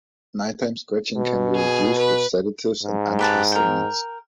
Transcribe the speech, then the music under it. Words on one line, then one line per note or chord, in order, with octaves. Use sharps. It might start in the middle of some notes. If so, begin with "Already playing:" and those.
Nighttime scratching can be reduced with sedatives and antihistamines.
B2
G#4
B4
G#2
G4 B4 A5
A#4 G5